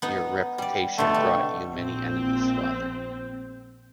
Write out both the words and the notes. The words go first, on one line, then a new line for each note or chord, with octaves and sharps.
Your reputation brought you many enemies, father...
B3 D#4
G3 D5
B2 D3 A3
G3
A#1 C4